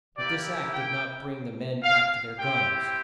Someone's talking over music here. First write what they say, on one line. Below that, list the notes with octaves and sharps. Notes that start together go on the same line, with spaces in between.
But this act did not bring the men back to their guns.
A#3 E4 G4 D5
G5
F5
C4 E4 G4 G5